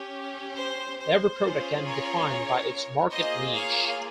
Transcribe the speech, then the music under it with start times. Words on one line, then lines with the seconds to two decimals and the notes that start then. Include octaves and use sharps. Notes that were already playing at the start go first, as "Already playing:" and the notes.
Every product can be defined by its market niche.
Already playing: C#4 G4
0.58 C5
1.00 C5
1.43 C#4 F4 G#4
1.85 A#4 C#5
3.12 A#3 F4 G#4 C5 D#5
3.55 C#5 F5